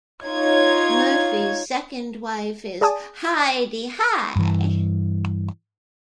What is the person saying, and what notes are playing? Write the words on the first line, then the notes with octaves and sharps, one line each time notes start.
Murphy's second wife is Hi-de-Hi!
D#4 F4 C#5 G#6
G#4 D5 G#5 A5 D#6
G2 E3